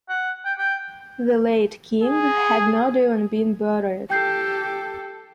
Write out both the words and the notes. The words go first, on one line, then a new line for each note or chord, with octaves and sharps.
The late king had not even been buried.
F#5
G5
G5
G#4
G4 A4 G5 G6 C7